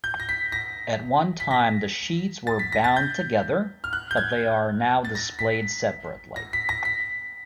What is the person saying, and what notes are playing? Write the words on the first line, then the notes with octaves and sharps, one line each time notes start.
At one time the sheets were bound together, but they are now displayed separately.
G6
A#6
B6
A#6
B6
A#6
A6
B6
A#6
A6
G6
F6
F#6
G6
G#6
A6
A#6
B6
A#6
B6
A#6
B6